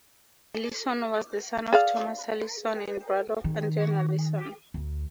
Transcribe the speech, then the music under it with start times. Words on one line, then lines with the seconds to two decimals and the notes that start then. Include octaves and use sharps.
Allinson was the son of Thomas Allinson and brother of Adrian Allinson.
1.73 G#4 D5 F5
3.44 D#3
4.74 D2